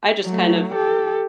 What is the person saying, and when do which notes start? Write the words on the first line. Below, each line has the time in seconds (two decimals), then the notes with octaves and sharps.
I just kind of
0.24 F#3 A3
0.74 G4 A4